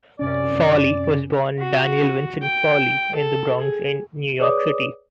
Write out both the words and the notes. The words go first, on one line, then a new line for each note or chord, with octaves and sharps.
Fowley was born Daniel Vincent Fowley in The Bronx in New York City.
F#2 C3 C#4 D5
F#4
G5
A4
G#4
G#4 B4 C#5 D5 D6 D#6